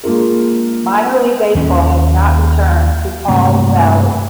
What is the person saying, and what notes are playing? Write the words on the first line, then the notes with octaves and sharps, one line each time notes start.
Minor league baseball has not returned to Pauls Valley.
G#3 A#3 D4 F4 A#4
D#2 C#4
G2 C3 A3 A#3